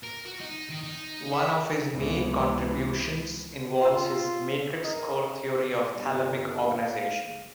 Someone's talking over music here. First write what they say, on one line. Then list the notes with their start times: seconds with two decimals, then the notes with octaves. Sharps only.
One of his main contributions involves his Matrix-Core theory of thalamic organization.
0.04 A#4
0.26 F#4
0.40 D#4
0.69 D#3
0.83 D#4
1.34 E5
1.92 C#2 C3 E3 F3 G#3 B3
3.81 F4 C6 E6
4.84 A#4 D#5
5.92 G1
6.67 F5